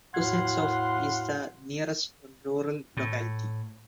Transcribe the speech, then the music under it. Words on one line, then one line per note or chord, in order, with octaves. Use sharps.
Kuznetsov is the nearest rural locality.
E2 A2 B3 F#4 F5 F#5 C6 G#6
A2